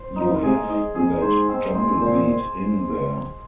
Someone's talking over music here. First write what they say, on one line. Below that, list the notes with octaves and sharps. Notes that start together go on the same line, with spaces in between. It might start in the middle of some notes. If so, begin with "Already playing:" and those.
You have that jungle beat in there.
Already playing: C5
D#4
F3
D#3
C3 G#4
G#2 D#5
F2 G#4
G#2 C5
C4
C5
A#2 C5